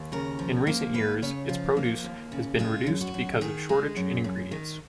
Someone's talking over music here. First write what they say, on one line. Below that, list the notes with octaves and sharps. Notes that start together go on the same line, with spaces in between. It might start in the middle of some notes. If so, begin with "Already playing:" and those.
In recent years its produce has been reduced because of shortage in ingredients.
Already playing: D#2
C#3 A#4
F3
A#3
D#2 B4
C#3 C#5
F3 F4
A#3
D#2
C#3
G#3 F4
F#2
F#4
F#2
D#3 G#4
G#3
F#2
F#2
D#3